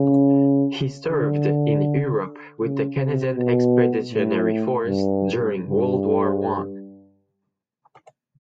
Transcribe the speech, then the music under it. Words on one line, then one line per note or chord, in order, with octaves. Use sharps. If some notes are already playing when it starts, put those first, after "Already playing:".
He served in Europe with the Canadian Expeditionary Force during World War One.
Already playing: C#3
D3
C#3
C3
B2
A2
G2
G2